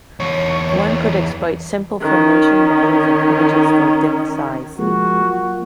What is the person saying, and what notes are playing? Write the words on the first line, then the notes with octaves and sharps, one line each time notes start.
One could exploit simple formation models of images for demosaicing.
E2 C#5
D#3 C#4
F3 G#3 A#3 F#4
F#3 A#3 F4